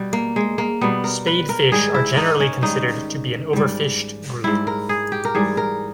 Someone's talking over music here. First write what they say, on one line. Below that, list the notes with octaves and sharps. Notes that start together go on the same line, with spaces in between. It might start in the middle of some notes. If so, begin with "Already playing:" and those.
Spadefish are generally considered to be an overfished group.
Already playing: B2 G3
A#3
G#3
A#3
B2 G3 B3
A#4
B4
A#4
G#2 D#3 G3 G#4
E4
D#4
C#4
G#2 D#3 G3 D#4
G#2 G3
G#2 G3 E4
A#4
G#4
G4
A#4
G#2 E3 G3 G#4
A#4